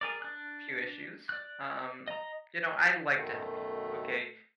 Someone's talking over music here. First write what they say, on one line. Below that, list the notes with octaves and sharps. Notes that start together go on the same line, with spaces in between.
few issues, um, you know, I like to help people, okay,
G#4 A#4 D5
D4 F#6
D5 F#6
D#5 A#5
F#2 B2 D#3 A3